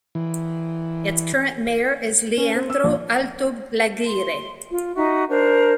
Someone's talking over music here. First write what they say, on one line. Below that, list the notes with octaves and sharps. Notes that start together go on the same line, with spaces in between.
Its current mayor is Leandro Altolaguirre.
E3
C#4
C4
E6
A#1
C6
F4
D#4 F#4 E5
D4 A#4 C5